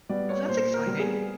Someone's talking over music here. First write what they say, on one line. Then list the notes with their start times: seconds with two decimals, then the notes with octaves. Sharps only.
Oh, that's exciting.
0.09 G3 B3 D5
0.29 C#5
0.48 A#2 C5
0.74 A#4
0.87 G3 B3
1.00 G#4